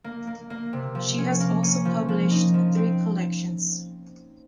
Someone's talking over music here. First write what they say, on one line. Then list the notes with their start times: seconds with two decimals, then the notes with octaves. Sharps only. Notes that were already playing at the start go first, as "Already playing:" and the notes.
She has also published three collections.
0.04 A#3
0.27 A#3
0.50 A#3
0.73 C3
0.95 F3
1.18 C#4
1.40 A#3
1.63 C#4
1.85 F3
2.09 F3
2.31 D#4
2.54 F3
2.77 C4